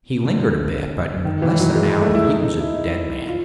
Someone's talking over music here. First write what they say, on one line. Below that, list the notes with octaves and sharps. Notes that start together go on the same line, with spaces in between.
He lingered a bit; but in less than an hour he was a dead man.
D3
D#3
E3
F#3
G#3
A3
E4
D#4
D#4
E4
F4